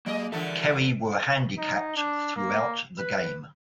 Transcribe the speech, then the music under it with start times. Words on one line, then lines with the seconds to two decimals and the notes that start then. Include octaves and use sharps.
Kerry were handicapped throughout the game.
0.06 F#3 G#3 A#3 D#5
0.32 D3 E3 G4 A4 A#4 E5
1.58 D#4
1.97 D4
2.36 A#3
2.99 B4